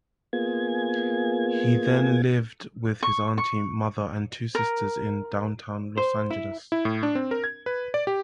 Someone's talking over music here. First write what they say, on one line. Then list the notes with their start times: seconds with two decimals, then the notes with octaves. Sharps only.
He then lived with his aunt, mother, and two sisters in Downtown Los Angeles.
0.33 A#3 B3 F4 G#4 G#6
3.03 C#6
3.38 C#6
4.55 A#4
5.98 C5
6.30 E4
6.72 E4
6.85 A2
7.03 D4
7.15 C4
7.31 A#4
7.44 G#6
7.66 B4
7.94 D5
8.07 G4